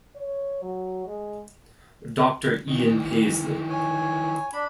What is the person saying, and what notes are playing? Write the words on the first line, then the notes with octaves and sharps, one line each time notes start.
Doctor Ian Paisley.
C#5
F#3
G#3
D#3 E3
C#5 G#5
D4 B5